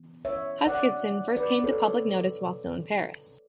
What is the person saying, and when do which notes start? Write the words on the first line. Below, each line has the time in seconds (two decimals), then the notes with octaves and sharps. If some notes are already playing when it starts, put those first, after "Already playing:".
Huskisson first came to public notice while still in Paris.
Already playing: E3 B3
0.25 C#5 E5
0.67 D5 F#5
1.36 B4 D5
1.64 A4 C#5